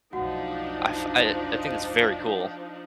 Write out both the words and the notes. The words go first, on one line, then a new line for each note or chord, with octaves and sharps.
I f I, uh I think it's very cool.
F1 B1 F3 D4 D#4 F#4 F#5